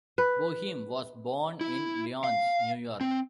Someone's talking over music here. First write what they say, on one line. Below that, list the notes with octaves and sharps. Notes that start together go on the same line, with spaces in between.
Boeheim was born in Lyons, New York.
B4
E4
F5
C4